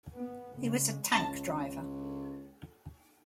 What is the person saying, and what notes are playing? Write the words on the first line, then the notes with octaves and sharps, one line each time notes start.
He was a tank driver.
B3
C#3 G#3
C#2 A5